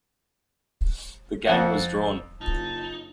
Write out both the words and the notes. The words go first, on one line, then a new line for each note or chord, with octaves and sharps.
The game was drawn.
F2 F#5
F#1 D#4 F4 A5